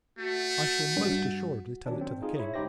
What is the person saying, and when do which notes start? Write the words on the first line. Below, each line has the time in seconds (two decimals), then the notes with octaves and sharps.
I shall, most assuredly, tell it to the King!
0.19 A3 F#4
0.96 G2
1.86 C3 D#3 F#3 C#4 D4
2.01 C4
2.22 D#4 F4 G#4
2.37 E4 C#5
2.54 C#2 F#2 D#4 G4 C5 A#6